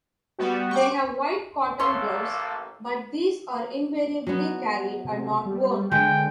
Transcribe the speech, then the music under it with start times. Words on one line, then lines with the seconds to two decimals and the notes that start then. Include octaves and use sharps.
They have white cotton gloves, but these are invariably carried and not worn.
0.39 G3 B3 F#4
0.71 G5 C#6 D6
1.80 A1 A#3 A4 C#5 C6
4.27 F#3 B3
5.05 C3
5.46 G3
5.92 D3 G#3 B4 G5